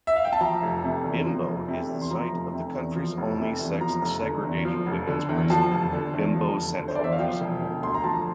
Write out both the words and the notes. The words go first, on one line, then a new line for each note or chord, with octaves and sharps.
Bimbo is the site of the country's only sex-segregated women's prison, Bimbo Central Prison.
E5
F5
G5
A5
F3 A#5
F1
C3
E2
F3
F1
C3
E2
C6
F3 A#5
F1
C3
E2
F3
F1
C3
E2
F3 A#5
F1
D3
E2
F3
F1
D3
E2
F3 A5
F1
D3
E2
F3
F1
D3
C5
D5
E2
E5
F5
F3 G5
E1
D3
D2 C6
A#5
F3 A5